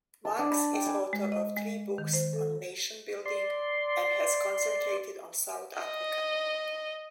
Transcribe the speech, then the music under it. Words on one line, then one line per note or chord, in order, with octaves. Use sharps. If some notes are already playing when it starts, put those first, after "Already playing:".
Marx is author of three books on nation-building, and has concentrated on South Africa.
A5
D4
B5
G5
G#5
G#3
D#5
G#3
D#3
C5
A4
D5 C6
D#5